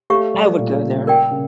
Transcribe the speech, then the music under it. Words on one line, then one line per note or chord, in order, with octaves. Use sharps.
I would go there.
A3 G4 C#5 F5 C#6
G3
A#2
C#3
A#4 D5 G5
C#3